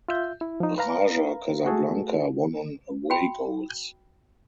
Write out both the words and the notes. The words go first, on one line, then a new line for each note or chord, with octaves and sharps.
Raja Casablanca won on away goals.
F4 E5 G6
E4
F3 D#4
B4 F5 A#5
A3 F#4 G#4 A4
F#4 G5 B5